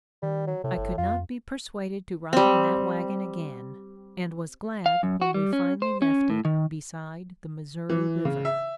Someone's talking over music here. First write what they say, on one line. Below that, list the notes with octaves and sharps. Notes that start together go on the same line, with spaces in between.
I could not be persuaded to ride in that wagon again and was glad when we finally left it beside the Missouri river.
D#3 G3
F#3
A2 C3
G1
F2 F4
G3 C4
F5
F#2
F#4
G3
C#4
C5
C#4
A2
D#3
E3
C#3
E5